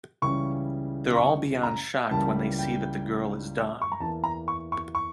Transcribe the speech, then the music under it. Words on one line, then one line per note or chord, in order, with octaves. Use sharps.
They're all beyond shocked when they see that the girl is Dawn.
C#2 C#3 E3 G3 C#6
C#6
A#5
C#2 C#3 E3 G3 A#3 A5
G5
C#6
A#5
E2 E3 A#3 A5
A#5
C#6
C#6
C#6